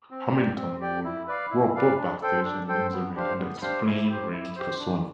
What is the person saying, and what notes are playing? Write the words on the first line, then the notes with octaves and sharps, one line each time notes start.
Hamilton would work both backstage and in the ring under his "Flame" ring persona.
C4
G4 D5 G5
C4
G4 D5 G5
E4
B4 D5 F5
E4
B4 D5 F5
D4
A4 C5 G5
D4
A4 C5 G5
B3
D4 G4 C5 F5
B3
D4 G4 C5 F5
E4
G4 C5
E4
G4 C5
D4